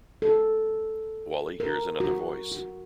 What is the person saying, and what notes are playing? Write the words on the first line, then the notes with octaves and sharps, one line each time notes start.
Wally hears another voice.
A4
A#4
F#4
F#4